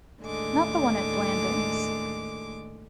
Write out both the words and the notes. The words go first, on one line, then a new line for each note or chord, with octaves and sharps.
Not the one at Blandings?
D#2 A2 D3 G#3 D6